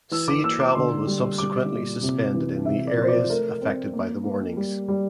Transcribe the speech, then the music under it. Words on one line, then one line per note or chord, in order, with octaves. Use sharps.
Sea travel was subsequently suspended in the areas affected by the warnings.
E3 E6
D6
A#3 E6
D6
D3 C6
G3
G3 D6
A#2
C3
E3
C3 E5
D5
F3 C5
D5
A3 A#4
C4
A#3
A#3
G3
G3